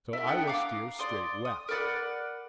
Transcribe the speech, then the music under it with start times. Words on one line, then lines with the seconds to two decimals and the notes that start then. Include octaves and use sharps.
So I will steer straight west.
0.13 E4 A#4
0.27 B3 D4 F#5 G5
0.47 F5 A#5 D6
0.99 D5 C6 D#6
1.45 D#6
1.69 A#4 B4 D5 F#5